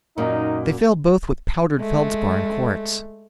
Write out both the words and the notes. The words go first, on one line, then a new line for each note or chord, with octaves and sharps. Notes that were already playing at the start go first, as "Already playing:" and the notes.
They failed both with powdered felspar and quartz.
F#2 A#2 D#4
G#3 A3